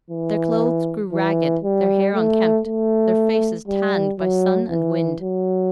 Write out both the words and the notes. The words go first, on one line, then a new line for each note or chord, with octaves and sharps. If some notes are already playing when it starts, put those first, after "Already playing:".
Their clothes grew ragged, their hair unkempt, their faces tanned by sun and wind.
E3
E3
G3
A3
A3
G3
F#3
E3
F#3